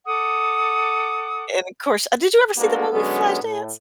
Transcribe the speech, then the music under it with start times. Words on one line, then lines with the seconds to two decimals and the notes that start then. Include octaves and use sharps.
And of course, uh did you ever see the movie "Flashdance?"
0.07 A4 F#5 D6 D#6
2.57 G3 G#3 A#3 B3 D4 F#4
2.92 D3 F#3 G#3 B3 C#4 G#4
3.41 A2